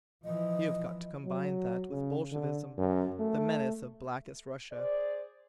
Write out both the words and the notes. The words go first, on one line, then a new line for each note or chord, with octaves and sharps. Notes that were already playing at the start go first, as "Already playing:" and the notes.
You've got to combine that with Bolshevism, the menace of blackest Russia.
E3 F3 D#5
F#3
C#3
D3
F#2
A3
G#4 C5 D5